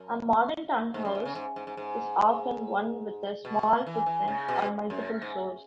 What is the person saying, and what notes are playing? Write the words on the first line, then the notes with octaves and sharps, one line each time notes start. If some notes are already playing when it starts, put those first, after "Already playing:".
A modern town house is often one with a small footprint on multiple floors.
Already playing: F#2
G#2
F#2
G#2
C#3
G#2
G#2
G#2
G#2
B2
E3
E3
C#3
B2
F#2
G#2